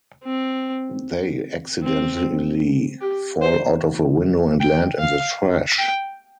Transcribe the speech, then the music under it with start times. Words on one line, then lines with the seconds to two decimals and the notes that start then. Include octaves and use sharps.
They accidentally fall out of a window and land in the trash.
0.24 C4
1.83 C4
3.01 G4
3.42 C5
4.60 G5
4.99 F5
5.79 G5